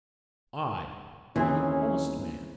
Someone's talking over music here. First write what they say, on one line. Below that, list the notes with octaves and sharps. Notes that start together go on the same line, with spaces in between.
I am an honest man.
D#2 E3 C4 C#4 G#4